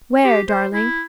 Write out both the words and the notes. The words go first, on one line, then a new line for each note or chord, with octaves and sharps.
"Where, darling?"
G4
C5
E4